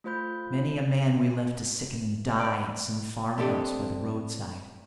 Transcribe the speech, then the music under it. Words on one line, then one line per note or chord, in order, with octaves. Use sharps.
Many a man we left to sicken and die at some farmhouse by the roadside.
A3 F4 C5 B5 G6
D5
A3 C4 D4 G4 A4 D#5